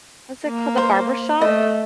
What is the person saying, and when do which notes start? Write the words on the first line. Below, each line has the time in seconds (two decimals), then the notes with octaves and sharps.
what's it called, The Barbershop?
0.46 A#3
0.77 C5
1.40 A3 D#5